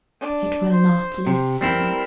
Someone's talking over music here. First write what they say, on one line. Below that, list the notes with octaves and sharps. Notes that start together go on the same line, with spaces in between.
"It will not listen!"
D4
C5
C3
G3 C4 E4 A#4